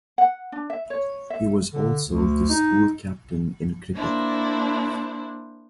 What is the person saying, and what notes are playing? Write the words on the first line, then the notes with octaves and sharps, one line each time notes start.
He was also the school captain in Cricket.
F#5
D4
E5
C#5
E5
D3
D2
D#4
A#3 D4 E4 C5